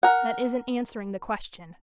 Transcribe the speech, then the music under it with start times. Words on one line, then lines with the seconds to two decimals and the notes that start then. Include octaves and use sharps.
"That isn't answering the question."
0.03 A#4 F#5